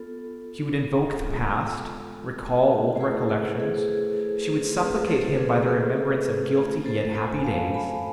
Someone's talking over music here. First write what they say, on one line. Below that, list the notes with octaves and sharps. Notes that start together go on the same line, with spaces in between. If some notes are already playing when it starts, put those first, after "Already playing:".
She would invoke the past, recall old recollections; she would supplicate him by the remembrance of guilty, yet happy days.
Already playing: B3 F4 A4
G#3 B3 F4
C5
A3 E4 G#4 B4
A4
G#4
G#4
A3 C4 F4 G#4 B4
A4 C5
G#4 B4
A4
G#4
G#4
A3 C4 F4
A4 C5
G#5 B5
G#5
F5 A5
G#5 B5